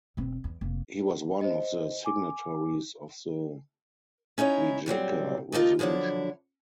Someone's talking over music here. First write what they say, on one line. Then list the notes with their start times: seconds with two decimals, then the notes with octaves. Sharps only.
He was one of the signatories of the Rijeka resolution.
0.17 E1 C4
0.44 E2
0.61 F1 A#3
1.41 C5 D#5
2.05 G#5 D6
4.38 C#4 D#4 E4 C#5
4.86 A#2 F#3 G3 C4
5.52 D#2 D4 D#4 F4 A#4
5.79 D3 F3 F#3 D4 E4